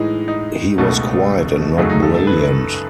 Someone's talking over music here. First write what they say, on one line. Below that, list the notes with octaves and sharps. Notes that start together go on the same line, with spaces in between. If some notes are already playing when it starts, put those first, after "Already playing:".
He was quiet and not brilliant.
Already playing: A2 E3 G#3 D#4
D#4
C#2 B2 A3
F#2 C#3 F#3 A3 D#4
D#4
A4
A4
B4